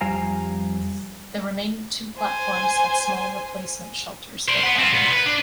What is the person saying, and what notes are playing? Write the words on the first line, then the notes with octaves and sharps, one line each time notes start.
The remaining two platforms had small replacement shelters built on them.
F2 G3 C5 F5 G#5 A#5
C5 G#5
C5 D5
B4 F#5
C4 F4
A#2 B3
B4
D4